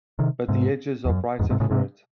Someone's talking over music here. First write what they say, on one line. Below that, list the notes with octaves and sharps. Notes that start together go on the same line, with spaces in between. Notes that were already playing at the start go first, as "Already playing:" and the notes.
But the edges "are" brighter for it.
C3 D#3
G#2 C3
E2
F#2
E2 G#2
G#2 C3
A2 C#3
G#2 C3